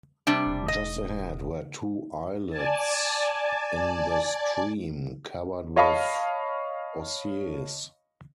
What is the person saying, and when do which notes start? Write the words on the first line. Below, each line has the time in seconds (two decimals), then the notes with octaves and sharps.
Just ahead were two islets in the stream, covered with osiers.
0.27 C3 G3 D4
0.46 E1
0.68 D#5
2.50 D5 G#5 A5
5.76 C#5 D#5 F5 A5 B5 C#6